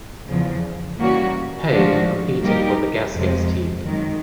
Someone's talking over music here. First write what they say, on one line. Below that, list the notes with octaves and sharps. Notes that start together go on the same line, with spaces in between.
Puy competed for the Gas Gas team.
E2 C#3 F3
E3 G3 A#3 C#4 F#4
G#2 F3 A3 D4 F#4
G3 A#3 D#4 G4 A#4
F2 C3 F3 G#3
F#2 D#3 G#3